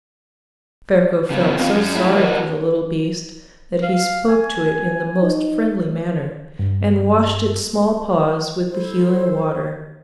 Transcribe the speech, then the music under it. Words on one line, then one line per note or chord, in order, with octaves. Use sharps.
Ferko felt so sorry for the little beast that he spoke to it in the most friendly manner, and washed its small paws with the healing water.
C#3 F3 B3
D#3 C4 F4 C5 C#5 F5
F#2 C#4
A2 F3 G#3 E4
D#3 F#4 A#4 D#5
F5
G#5
D#4
G2
E4 A4 C5